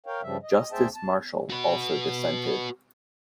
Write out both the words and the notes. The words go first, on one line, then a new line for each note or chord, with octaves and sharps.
Justice Marshall also dissented.
A#4 C#5 F5 G5
G2 C#3 F3 G3 E5
D#5
D2 G#4 C5 E5 G5 A5
A5
F#4 B4